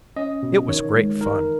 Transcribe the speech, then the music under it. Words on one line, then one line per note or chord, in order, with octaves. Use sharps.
It was great fun.
C#4 D#5
B2
D#3 C#5
G#3
D#3 A#4